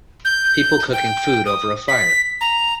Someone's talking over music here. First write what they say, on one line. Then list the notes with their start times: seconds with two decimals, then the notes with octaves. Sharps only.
People cooking food over a fire.
0.25 G6
0.93 G5
1.46 D#6
1.88 B6
2.41 A#5